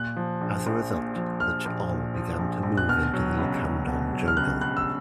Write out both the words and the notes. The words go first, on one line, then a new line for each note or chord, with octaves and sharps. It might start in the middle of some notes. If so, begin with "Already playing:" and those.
As a result, the Ch'ol began to move into the Lacandon Jungle.
Already playing: A#2 F#6
F3
A#1
A#1
A#2
F3
A#1 F6
A#1
A#2
F3
A#1
A#1
F#6
B2 F6
F#3
C#2
C#2
B2
F#3
F6
C#2 F#6
C#2 F#6
E6